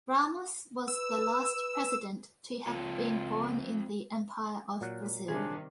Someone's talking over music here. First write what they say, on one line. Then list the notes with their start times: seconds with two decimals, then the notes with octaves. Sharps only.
Ramos was the last President to have been born in the Empire of Brazil.
0.88 B4 E6
1.55 B4
2.67 C#2 F3 C4 F4 A4 C#5
4.81 A#2 F#3 F#5
5.28 C3 D#3 G3 D4 G#4